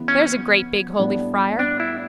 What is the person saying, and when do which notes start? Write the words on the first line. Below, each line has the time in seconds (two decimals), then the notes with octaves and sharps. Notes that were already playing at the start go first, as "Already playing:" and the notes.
There's a great big holy friar.
Already playing: C#3 E3 B3
0.08 C#4
0.99 A2 G3 B3 D4
1.59 D4
1.80 E4